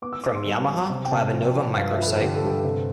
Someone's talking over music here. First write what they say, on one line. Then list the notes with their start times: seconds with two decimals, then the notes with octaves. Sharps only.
From Yamaha Clavinova microsite.
0.02 B3 D6
0.13 E6
0.24 B3 D6
0.35 C6
0.46 G3
0.67 G3
0.90 C3
1.05 G5
1.11 C3 A5
1.33 F3
1.55 F3
1.76 G2 F5
1.91 E5
1.99 F3 B4
2.07 A4
2.20 D3 G4
2.35 A4
2.43 G2 G4
2.50 A4
2.64 C3 A4